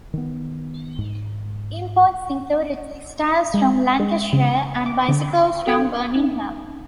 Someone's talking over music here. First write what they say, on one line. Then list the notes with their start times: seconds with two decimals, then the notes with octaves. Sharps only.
Imports included textiles from Lancashire and bicycles from Birmingham.
0.14 D#3 B3
0.98 G#2
3.54 G#3
4.00 G#3
4.33 C#3
4.86 D6
5.09 D3
5.66 F#4 A4 F5 G5 G#6 D7
5.78 D4
6.15 D#4